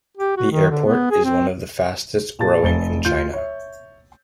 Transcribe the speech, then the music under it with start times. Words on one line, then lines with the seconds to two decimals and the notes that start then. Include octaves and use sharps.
The airport is one of the fastest growing in China.
0.18 G4
0.37 F#4
0.51 D#3
0.71 D3
0.86 B3
1.11 G#4
1.25 C4
2.39 A#2 G4 G#4 A5 A6
2.63 F1 F2 A6 G7
3.05 D2 F4 G6
3.34 C#5 E5